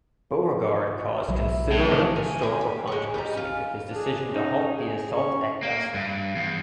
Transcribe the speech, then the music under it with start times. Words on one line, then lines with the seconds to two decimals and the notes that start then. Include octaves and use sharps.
Beauregard caused considerable historical controversy with his decision to halt the assault at dusk.
1.28 B1 F#3 E4
1.71 A2
1.91 C3 D#3 E3
2.16 G#5
2.42 D#3 G#4 D5
2.61 G4
2.87 G#3 C#5
3.14 G3 D#4 G4 A#5
3.34 C#4 F4
3.90 D4 G#4
4.30 C#4 D#4
4.77 G#4
5.13 C#4 C#6
5.63 A#3
5.94 G2
6.36 E2